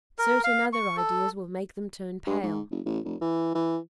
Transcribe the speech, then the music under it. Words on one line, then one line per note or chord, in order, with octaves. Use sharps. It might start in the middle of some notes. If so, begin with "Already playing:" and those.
Certain other ideas will make them turn pale.
A#4
F5
C#6
A4
G2
G#2
F#1
A1
F1
E3
E3